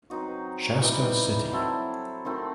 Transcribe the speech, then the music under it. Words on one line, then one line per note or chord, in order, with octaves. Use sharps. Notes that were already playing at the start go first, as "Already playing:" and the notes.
Shasta City.
F#3 C4 D#4 F#4
E3 G3 D#4
F#3 C4 E4 A4
D#3 A3 C4 F#4